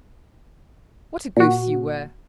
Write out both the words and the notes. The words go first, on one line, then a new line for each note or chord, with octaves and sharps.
"What a goose you were."
A#2 F#4